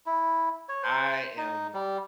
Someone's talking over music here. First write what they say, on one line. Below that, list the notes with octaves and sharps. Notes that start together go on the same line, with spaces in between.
I am
E4
C#5
C5
D#4
G3